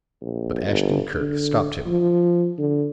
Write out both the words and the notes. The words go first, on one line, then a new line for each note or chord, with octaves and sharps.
But Ashton-Kirk stopped him.
A#1
G1
D3
F3
D3